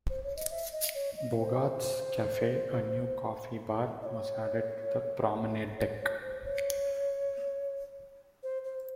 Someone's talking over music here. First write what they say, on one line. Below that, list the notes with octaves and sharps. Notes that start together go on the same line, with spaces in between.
"Bogart's Cafe", a new coffee bar, was added to the Promenade Deck.
C5
C#5
D#5
E5
D#5
C#5
D#5
C#5
C5
D#5
C#5
C#5
C#5
C5
C#5
C5
C5